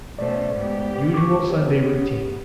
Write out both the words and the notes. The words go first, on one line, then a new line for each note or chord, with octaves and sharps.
Usual Sunday routine.
B2 A3 C#4 C5 D5
G#2 B3 G4
C#6 D6
B3 G4 C#5